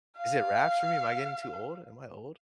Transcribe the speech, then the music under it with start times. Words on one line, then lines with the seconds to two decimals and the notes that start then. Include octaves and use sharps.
"is it wraps for me? Am I getting too old? Am I old?"
0.17 F5